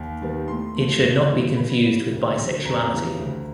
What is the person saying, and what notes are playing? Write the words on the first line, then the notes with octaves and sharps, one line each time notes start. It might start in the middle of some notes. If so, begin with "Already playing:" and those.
It should not be confused with bisexuality.
Already playing: D#2
D#3 G3 B3
A2 C6
F3 A3
G2
E3 G#3
A#2 B5
G3 C4
D2
D3 F#3
F2 A#5
C#3 E3 G3
D2